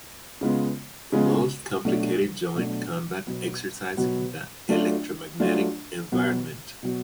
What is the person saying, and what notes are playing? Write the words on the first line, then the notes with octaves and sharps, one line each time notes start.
The most complicated joint combat exercise in the electromagnetic environment.
C#3 G#3 B3 F4
C#3 G#3 B3 F4
B2 F#3 A3 D4
B2 F#3 A3 D4
B2 F#3 B3
B2 F#3 B3
F#3 A3 D4 F4
F#3 A3 D4 F4
B2 F#3 B3
B2 F#3 B3